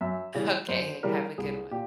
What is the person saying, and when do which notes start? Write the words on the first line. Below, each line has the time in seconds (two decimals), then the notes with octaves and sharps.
Okay, h have a good one.
0.01 F#2 E5
0.35 C#3 E3 G3
0.69 F#2 C5
1.03 C#3 E3 G3 A#4
1.38 C2 G#4
1.71 A#2 G4